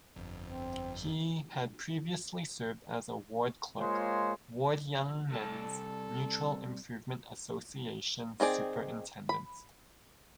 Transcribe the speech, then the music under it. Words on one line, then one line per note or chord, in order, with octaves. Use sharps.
He had previously served as ward clerk, ward Young Men's Mutual Improvement Association superintendent.
G1 F2
C4
G#3 A#3 F4 C5 C#5
C2 A4 A5
D#3 C4 G#4 D5
B5